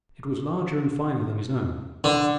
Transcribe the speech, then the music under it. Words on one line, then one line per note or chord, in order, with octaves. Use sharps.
It was larger and finer than his own.
D3